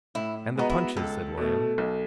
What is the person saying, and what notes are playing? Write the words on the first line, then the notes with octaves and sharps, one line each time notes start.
'And the Punches,' said William.
A2 E4
G#3 B3 D#4 F#4
E4
C#2 A4
B2 A3
B1